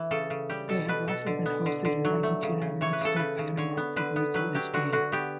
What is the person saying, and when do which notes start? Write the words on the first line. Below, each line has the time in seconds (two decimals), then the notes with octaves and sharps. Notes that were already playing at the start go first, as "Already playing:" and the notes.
They have also been hosted in Argentina, Mexico, Panama, Puerto Rico, and Spain.
Already playing: E3
0.11 C#3 A4
0.30 C#3
0.50 G3 G4
0.69 B2 A4
0.88 B2 B4
1.08 B2 A4
1.26 D3
1.46 B3
1.66 D3
1.85 D3
2.05 F#3
2.23 A3
2.43 C#3
2.62 C#3
2.81 E3 C#5
2.93 B4
3.01 C#3 A4
3.16 C#3 B4
3.39 C#3
3.57 D3 C#5
3.77 B3
3.96 D3 B4
4.16 B3
4.34 F#3 B4
4.54 F#3 G4
4.73 D3 F#4
4.92 D3 F#4
5.12 B3 G4